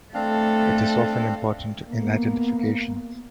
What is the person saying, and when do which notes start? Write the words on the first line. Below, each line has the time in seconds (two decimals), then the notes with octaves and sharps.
It is often important in identification.
0.14 A3 C4 D4 A4 F5
1.88 A#3 B3